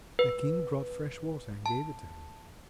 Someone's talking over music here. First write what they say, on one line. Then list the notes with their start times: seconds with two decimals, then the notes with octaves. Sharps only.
The King brought fresh water and gave it to him.
0.19 B4
1.66 A5